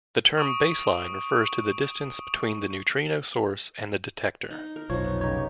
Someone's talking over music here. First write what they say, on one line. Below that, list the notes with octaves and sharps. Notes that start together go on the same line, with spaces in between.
The term "baseline" refers to the distance between the neutrino source and the detector.
C#6 D#6 D7
D#4
A#4
F1 B1 F3 D#4 C#5
B3
C#3 D#4 G4 C#5